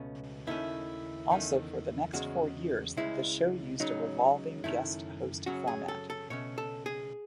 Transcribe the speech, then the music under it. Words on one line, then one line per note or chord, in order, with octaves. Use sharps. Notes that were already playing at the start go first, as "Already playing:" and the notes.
Also for the next four years, the show used a revolving guest-host format.
Already playing: C#2 B2 A3 C#4
D#2 D#3 A3 C#4 E4
E2 D#3 A3 C#4
E2 C#3 G#3 C#4 F#4
C#2 C#3 G#3 C#4 E4
C#2 C#3 F#3 D#4
F#2 D#3 A3 C#4 E4
F#2 C#3 F#3 C#4 F#4
G#4
A4
A4
B2 A3 C#4 C#5
A4
G#4